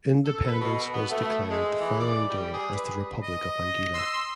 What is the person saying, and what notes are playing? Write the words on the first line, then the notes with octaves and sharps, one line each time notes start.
Independence was declared the following day as the Republic of Anguilla.
A4
B4
B2
B3
A3
G#3
E3
D5
G3
G#4
B4
D#5
C6 E6